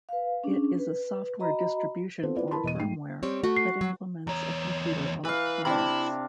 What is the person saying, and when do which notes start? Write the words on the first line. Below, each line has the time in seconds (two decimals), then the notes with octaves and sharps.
It is a software distribution or firmware that implements a computer appliance.
0.09 B4 F5
0.44 C#4 D4 G#4
0.79 B4
1.39 F#4 D#5 A#5 B5
2.23 B3 C4 F4 A4 C5
2.36 E4 F4 B4 C5 D5
2.51 E4 A#4 B4 A5 B5 C6
2.63 E1 D#5 D#7
2.79 G#2 A3 G5 C7
3.23 G3 C4 C#5
3.43 A3 F#4
3.57 C7
3.81 F#3
4.27 E2 C#5 A#5
5.25 E3 B4 F5
5.65 C3 D4 E4 B5